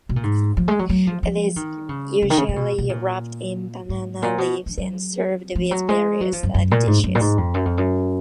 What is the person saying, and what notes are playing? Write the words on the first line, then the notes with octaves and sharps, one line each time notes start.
It is usually wrapped in banana leaves and served with various side dishes.
B2
A#2
G#2
F3
G#3
F#3
F#3
F3
F3
D#3
C#3
C#3
D#3
C#3
C#3
B2
B2
A#2
G#2
A#2
B2
F3
F#3
F3
F#3
G#3
F#3
F3
F#2
F#2
A#2
G#2
F#2
A#2
G#2
F2
F#2
F2
F#2